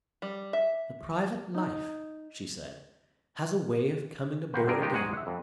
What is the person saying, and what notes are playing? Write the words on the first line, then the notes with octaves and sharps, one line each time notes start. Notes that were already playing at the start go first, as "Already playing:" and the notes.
"The private life," she said, "has a way of coming aboard again."
G3
E5
D#4
A#3 B4 C5 F#5 G5
G1 D3 D4 G#4 A#4 G5
D#3 F3 G#3 D#4 G4
G#2 G#3 F#4 G#4 F#5 G#5
E5 F#5
F2